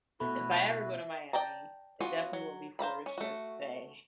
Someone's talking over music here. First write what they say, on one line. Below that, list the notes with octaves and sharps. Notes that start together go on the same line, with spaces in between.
if I ever go to Miami, it definitely will be for a short stay.
B2 A3 E4 F#4 B4 B5
E5
D5 G5 A5 A#5
B3 C#4 F4 F#4
F#3
C5 F5 A#5 B5
C#4
A3 F#4